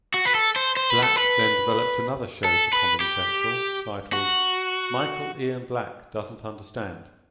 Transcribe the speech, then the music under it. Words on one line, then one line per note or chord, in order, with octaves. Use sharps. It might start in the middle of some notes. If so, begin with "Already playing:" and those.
Black then developed another show for Comedy Central titled "Michael Ian Black Doesn't Understand".
F#4
B4
A4
C5
C5
B4
A4
B4
A4
B4
G4
F#4